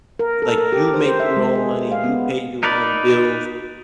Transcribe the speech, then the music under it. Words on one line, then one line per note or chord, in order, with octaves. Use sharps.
like, you make your own money, you pay your own bills,
A#4
A4
A#4
G4
C5
C5
E5
G#3
G#4
F5
B3
D#4 A#4 B4 D5